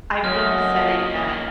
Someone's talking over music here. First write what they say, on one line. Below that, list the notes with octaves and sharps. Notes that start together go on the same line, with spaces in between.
I I will say that
F#3 A#3 C#4 D#5 F6